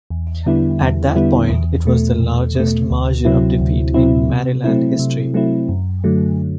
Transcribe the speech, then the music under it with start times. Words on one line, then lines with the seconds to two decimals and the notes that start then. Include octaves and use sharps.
At that point, it was the largest margin of defeat in Maryland history.
0.10 E2
0.46 D3 G3 B3 E4
0.80 E2
1.16 D3 G3 B3 E4
1.50 E2
1.85 B2 A3
2.20 E2
2.55 B2 A3
2.90 D2
3.25 C3 F#3 C4 E4
3.60 D2
3.94 C3 F#3 C4 E4
4.30 C3
4.64 F#3 A3 C4 E4
4.99 C3
5.34 F#3 A3 C4 E4
5.69 F#2
6.04 D3 F#3 A3